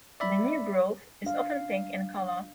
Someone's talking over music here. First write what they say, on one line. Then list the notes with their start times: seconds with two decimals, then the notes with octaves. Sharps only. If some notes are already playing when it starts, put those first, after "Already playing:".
The new growth is often pink in colour.
0.20 D5 E5 B5
1.24 D4 F5